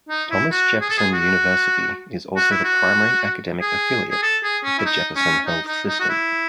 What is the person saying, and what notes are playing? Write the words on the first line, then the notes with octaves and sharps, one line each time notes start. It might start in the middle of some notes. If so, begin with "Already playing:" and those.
Thomas Jefferson University is also the primary academic affiliate of the Jefferson Health System.
D#4
E4
F#4
G#4
A4
G#4
F#4
F#4
E4
F#4
G#4
G#4
A4
G#4
C#4
E4
D#4
C#4
D#4
D#4
D#4
F#4
E4